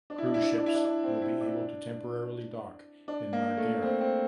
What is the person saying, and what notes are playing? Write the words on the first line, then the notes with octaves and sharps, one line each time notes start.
Cruise ships will be able to temporarily dock in Marghera.
D4
E4
D4
E4
D4
E4
D4
E4
D4
D4
C4
E4
D4
D4
A#3
A3
C4
C4